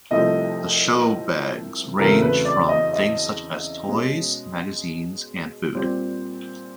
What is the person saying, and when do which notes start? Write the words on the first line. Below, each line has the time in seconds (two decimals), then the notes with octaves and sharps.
The showbags range from things such as toys, magazines, and food.
0.11 C2 C3 F3 A3 C4 D#5
1.99 E2 C#3 F#3 A3 C4 A#4
2.22 B4
2.45 D5
2.69 D#5
2.93 D#5
3.87 B2 G#3 C#4
5.74 A#2 G3 C4